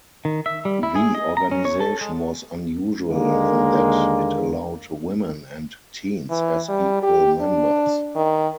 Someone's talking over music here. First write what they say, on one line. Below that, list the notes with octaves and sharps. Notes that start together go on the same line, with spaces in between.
The organization was unusual in that it allowed women and teens as equal members.
D#3
E5
G3
E4
G#4
D#5
A#5
C#4
C#5
A4
G#3
D#2 D3 G#3 A#3
E3
G3
G4
D4
D#3